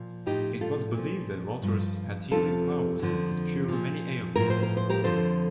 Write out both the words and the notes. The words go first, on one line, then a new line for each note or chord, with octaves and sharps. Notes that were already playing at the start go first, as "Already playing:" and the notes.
It was believed the waters had healing powers and could cure many ailments.
Already playing: A#2 F3
A2 F3 D#4 G4
F4 A4
A#2 F3
G2 F3
F2 C3 F3 F4 A4
F2 D3 F3
A#2 F3
A2 F3 A#4
C5
A#4
C5
G4 A#4
F2 D3 F3 A4 C5